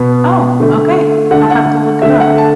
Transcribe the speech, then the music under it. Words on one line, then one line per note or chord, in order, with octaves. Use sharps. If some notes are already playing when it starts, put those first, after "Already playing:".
Oh, okay, I'll have to look it up.
Already playing: B2 B3
D3 A3
D3 A3 F#5
A5
F#5
D3 A3 E5
F#5
A5